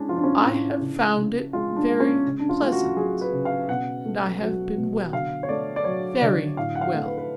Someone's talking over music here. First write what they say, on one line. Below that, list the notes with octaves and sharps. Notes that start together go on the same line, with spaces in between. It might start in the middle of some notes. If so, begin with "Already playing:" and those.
I have found it very pleasant--and I have been well--very well.
Already playing: A2 G#3 C#4 D4
F3 F4
D4
C#4
D4
A2
C#3
C#3
G#3 F4
D4
G#3
C#4
C#3
D4
F4
A3
F4
F#4
F#3 G#4
B4
C#3
F5
B2 F#5
A3
F#3
B2
D3 F5
C#5
A3 D5
D5
F#3 C#5
D3 D5
A2 F5
F#5
F5
A3
B4
B4